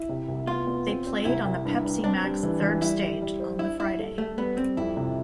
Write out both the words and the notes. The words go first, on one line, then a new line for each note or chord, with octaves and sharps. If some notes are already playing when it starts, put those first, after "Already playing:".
They played on the Pepsi Max third stage on the Friday.
Already playing: E4
C3
C2
B3 F4
B3
C4
C4
C2 E4
C2
G2
G2
C4 D4
G3
E3
E3
G3 E4
G3
G3
C5
D4 E4
G3 E4
A4
A3 A4
G3 B3
G3 C4
F2 E4
C3